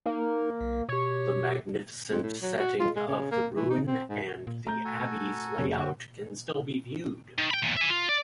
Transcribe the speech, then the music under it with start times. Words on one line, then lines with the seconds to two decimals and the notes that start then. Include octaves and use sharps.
The magnificent setting of the ruin and the Abbey's layout can still be viewed.
0.06 A#3 D#4 A#4
0.61 B1
0.89 B2 G4 C#5
2.12 F2
2.23 A2
2.42 F#3
2.60 F#4
2.80 F4
2.96 G#3
3.08 C#3
3.32 A#3
3.56 E3
3.70 D#4
3.87 C4
4.10 G#2
4.47 A#2
4.67 A3 A#5 G6
4.85 F#4 A4 G#5
5.58 F#1 C#4 G#4
5.78 D3 F#4 G4 F#5
7.38 D#3
7.51 G5 B5
7.62 E2 A#2
7.77 E5 G#5
7.90 F4
8.09 D5